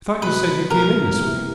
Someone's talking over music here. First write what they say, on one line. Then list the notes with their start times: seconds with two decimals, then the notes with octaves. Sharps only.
"I thought you said you came in this way."
0.22 B2 F#3 A3 B4
0.70 B2 F#3 A3 A#4
1.18 C3 E3 G3 A#3